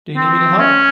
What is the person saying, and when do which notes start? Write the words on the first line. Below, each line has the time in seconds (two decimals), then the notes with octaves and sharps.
Do you need me to help?
0.16 C4
0.58 C#4